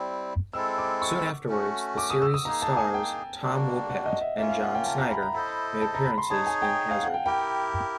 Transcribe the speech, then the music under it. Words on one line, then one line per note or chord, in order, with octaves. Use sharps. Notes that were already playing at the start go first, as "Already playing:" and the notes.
Soon afterwards, the series' stars Tom Wopat and John Schneider made appearances in Hazard.
Already playing: G3 C4 E4
G#3 C4 E4 A4 E6
D6
C#6
A3 C#4 F#4
D6
D#6
E6
D#6
A#3 D#4 G#4 A#5
A5
G#5
G5
G3 A#3 D4 F#4
F#5
D#5
E5
A#3 C#4 F4 E5
F5
F#5
G5
A5
A#5
B5
A#5
E4 A4 C5 D#5 B5
A5
A#5
B5
C6
D#4 G#4 C#5 A5
G#5
G5
F5
F#5
G5
E4 G4 A#4 G5